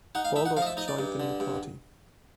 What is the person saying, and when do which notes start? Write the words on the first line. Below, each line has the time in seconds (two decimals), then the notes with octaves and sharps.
Baldock joined the new party.
0.15 D#4 F#5
0.25 F5
0.36 D#4 E5
0.46 F#5
0.57 F3 F5
0.62 D#5
0.66 E5
0.77 D#4 D#5
0.88 D5
0.99 G2
1.20 D3
1.40 G2